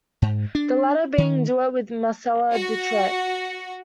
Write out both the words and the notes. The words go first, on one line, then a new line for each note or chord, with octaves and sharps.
The latter being a duet with Marcella Detroit.
G#2
D4
D#3
F#4